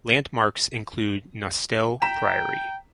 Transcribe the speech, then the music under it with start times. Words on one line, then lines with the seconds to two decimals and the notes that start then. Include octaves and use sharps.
Landmarks include Nostell Priory.
2.02 G5 A#5 B6 E7